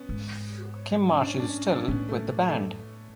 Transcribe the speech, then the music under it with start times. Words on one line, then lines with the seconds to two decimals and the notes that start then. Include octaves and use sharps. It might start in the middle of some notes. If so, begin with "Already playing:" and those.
Kym Marsh is still with the band.
Already playing: B3 C#4
0.09 G#2
1.09 C#4
1.20 D4
1.28 C#4
1.39 D4
1.49 C#4
1.71 D4
1.81 C#4
1.88 A2 B3
2.09 A3
2.49 A3